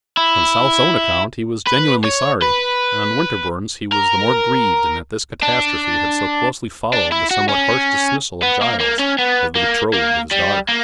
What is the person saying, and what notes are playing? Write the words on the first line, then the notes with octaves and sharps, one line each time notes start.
On South's own account he was genuinely sorry; and on Winterborne's he was the more grieved in that this catastrophe had so closely followed the somewhat harsh dismissal of Giles as the betrothed of his daughter.
E4
B4
C#5
B4
A#4
D4
D4
E4
F#4
C#4
B3
A#3
A#3
C#4
B3
A#3
A#3
G3
A#3